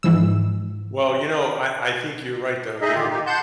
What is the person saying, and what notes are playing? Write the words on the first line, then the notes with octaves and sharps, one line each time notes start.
Well, you know, I I think you're right though, there
G#2 E3 F3 E6
D#4 G#4 D#5 E5
D3 D#3 F4 G4
A#2 A#3 D#4 G4
F#5 A5 C6 G6